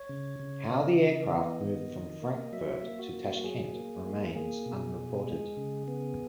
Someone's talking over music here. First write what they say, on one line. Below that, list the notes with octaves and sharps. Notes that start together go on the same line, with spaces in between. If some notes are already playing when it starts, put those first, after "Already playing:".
How the aircraft moved from Frankfurt to Tashkent remains unreported.
Already playing: C#5
C#3
C#3
C#3 D#5
E3
B3
D#3
D#3
A#3
F#3 E5
A#3
F#4
A#3
F#3 G#4
A#3
A#3
A#3 G#4
B2
B2
G#3
C#3
B3